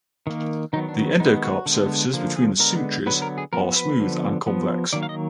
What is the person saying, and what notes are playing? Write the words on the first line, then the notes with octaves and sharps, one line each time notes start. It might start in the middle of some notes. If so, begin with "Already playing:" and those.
The endocarp surfaces between the sutures are smooth and convex.
D#3 A#3
D#3 F#3 B3 D#4
D4
D#3 G#3 B3 D#4
F#4
D3 G#3 B3
D3 F3 A#3
G#4
D3 G#3 B3 A#4
D3 F#3 B3 B4
A#4
G#4
F3 B3 A#4
B4
D3 F3 B3
F3 B3
D#3 F#3 A#3 D5
F5
D#5